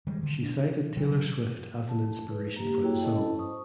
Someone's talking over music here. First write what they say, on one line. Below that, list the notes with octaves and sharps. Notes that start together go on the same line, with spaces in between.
She cited Taylor Swift as an inspiration for the song.
D#3 G3 G#3
D3
D4
C3 D#3 F3 F#3
A5
B4
A#3 G4
A#3 E4 F#4 G#4 C#5 G5
C#4 E4 A4 D#5 A5
C5 C#6 D#6